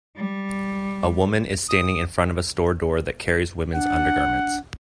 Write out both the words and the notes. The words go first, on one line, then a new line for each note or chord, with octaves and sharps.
A woman is standing in front of a store door that carries women 's undergarments.
G3
D#6
D4 F#5